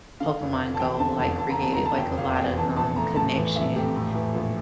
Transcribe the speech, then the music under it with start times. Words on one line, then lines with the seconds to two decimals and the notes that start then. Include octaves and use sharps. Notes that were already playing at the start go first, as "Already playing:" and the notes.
Pokémon GO, like, created, like, a lot of, um, connection
0.20 D3 F5
0.41 F1
0.61 F1
0.74 A5
0.79 E2 G5
0.99 D3 A5
1.19 F1 A5
1.39 F1 A5
1.50 A#5
1.59 E2 A5
1.73 A#5
1.79 D3
1.85 A5
1.98 F1 G5
2.17 F1 F5
2.37 E2 G5
2.58 E3 A5
2.76 A#1 A5
2.96 A3 A#5
3.16 A2 A5
3.36 E3
3.56 A#1 E5
3.76 A3 G4
3.95 A2
4.15 E3
4.35 A#1